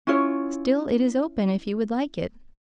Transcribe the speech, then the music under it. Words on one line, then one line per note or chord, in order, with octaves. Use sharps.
Still it is open, if you would like it.'
C#4 E4 F4 C#5